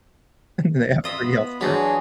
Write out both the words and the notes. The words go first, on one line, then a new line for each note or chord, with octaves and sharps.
They have free health care.
F4 D#5 E5
B3 B5
E3 F#3 G#3 D4 F#4 G#4